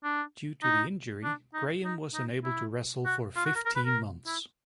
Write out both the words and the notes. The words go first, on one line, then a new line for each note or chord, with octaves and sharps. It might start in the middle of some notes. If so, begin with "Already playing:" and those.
Due to the injury, Graham was unable to wrestle for fifteen months.
D4
D#4
D4
D#4
D#4
D#4
E4
F#4
F4
F#4
A#4
A#4
B4
A#4
E4